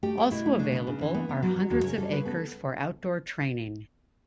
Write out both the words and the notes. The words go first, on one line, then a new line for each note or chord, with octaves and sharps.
Also available are hundreds of acres for outdoor training.
A3 G4
A3
B2 E4
A3
C#3 D4
B3
C#3
E3
B3
B3
F#3
F#3
E2 F#4
C#3 C#5
G3 A4
C#3 B4
B3 A4